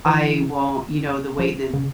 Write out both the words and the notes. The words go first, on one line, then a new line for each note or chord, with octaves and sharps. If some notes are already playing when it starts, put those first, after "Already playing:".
I won't" You know, the way the
E3
F3
C#3